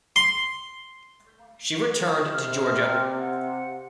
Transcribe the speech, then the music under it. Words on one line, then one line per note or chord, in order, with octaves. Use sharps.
She returned to Georgia.
C6
C3 F6
F#5